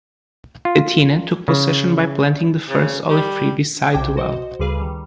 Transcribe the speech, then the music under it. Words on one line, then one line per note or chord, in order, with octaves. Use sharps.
Athena took possession by planting the first olive tree beside the well.
F4
C#3
C#3
G3
B1 C3 C5 G5 D6 G#6
F#4 C5 D#5
D2 C#3 G3 G#4 B4 F5
D#3 G3